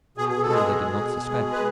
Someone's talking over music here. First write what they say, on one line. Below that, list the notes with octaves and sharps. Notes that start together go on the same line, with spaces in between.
Surely they did not suspect!
B2 G#4
G#4
B2
A4
G#3 G#4
B2
B2
B2
B2
G#3
G#3
B4